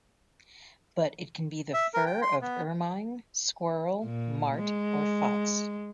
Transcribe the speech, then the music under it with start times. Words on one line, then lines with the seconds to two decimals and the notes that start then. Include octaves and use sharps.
But it can be the fur of ermine, squirrel, mart or fox.
1.74 E5
1.94 A#4
2.06 G5
2.22 C6
2.42 B3
4.05 A#2
4.56 G#3